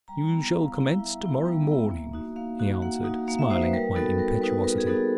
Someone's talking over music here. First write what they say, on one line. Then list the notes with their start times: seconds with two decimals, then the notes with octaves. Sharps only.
"You shall commence to-morrow morning," he answered, smiling at my impetuosity.
0.08 G3 A#5
0.32 B3 E4
0.53 G3 F5
0.76 B3 E4
0.90 F5
0.99 G3 E5
1.23 B3 E4
1.45 G3
1.67 B3 E4
1.91 A#3
2.13 D#4 F#4
2.36 A#3 F5
2.60 D#4 F#4
2.82 A#3 F#5
3.04 D#4 F#4
3.28 A#3 F5
3.39 E5
3.50 D#4 F#4 C5
3.62 B4
3.73 G3 A#4
3.96 B3 D#4 F#4 A4
4.18 G3 A#4
4.41 B3 D#4 F#4 B4
4.64 G3 A#4
4.78 G#4
4.87 B3 D#4 F#4 A4